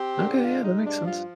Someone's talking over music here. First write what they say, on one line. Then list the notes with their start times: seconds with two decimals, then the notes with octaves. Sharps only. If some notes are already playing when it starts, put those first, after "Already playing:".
Okay, yeah that makes sense.
Already playing: C4 G4
0.16 D3 A#4
0.27 G#4
0.35 G4
0.43 G#3 F4
0.64 D#4
0.71 G2
0.85 D4
0.99 F3
1.05 F4